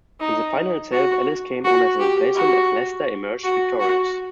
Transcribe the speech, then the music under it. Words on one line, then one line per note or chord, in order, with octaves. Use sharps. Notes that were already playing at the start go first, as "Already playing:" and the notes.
In the final itself Ellis came on as a replacement as Leicester emerged victorious.
D#4
F#4
F#4
G4
F#4
F#4
F#4